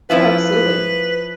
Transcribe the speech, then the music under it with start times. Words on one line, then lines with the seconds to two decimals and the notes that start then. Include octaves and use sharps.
Oh, absolutely.
0.10 F3 E4 F4 B4